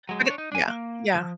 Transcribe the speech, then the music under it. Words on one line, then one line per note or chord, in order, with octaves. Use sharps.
but it Yeah, yeah.
F#3 G#3
D4 C#5
D#4
D4 G#5
A#3
C#2 F3